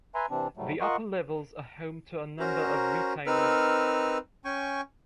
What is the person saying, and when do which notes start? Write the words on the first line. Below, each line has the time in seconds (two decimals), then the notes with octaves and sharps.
The upper levels are home to a number of retailers.
0.15 B4 E5 G#5 A#5 C6
0.30 C3 E3 C4 D4
0.57 G#2 F#3 G3 A3
0.81 F4 A#4 D#5 F#5 C6 C#6
2.40 C#4 F#4 A#4 C5 A#5
3.27 C4 D#4 A#4 B4 E6 F6
4.45 C#4 G5 G#5 C#6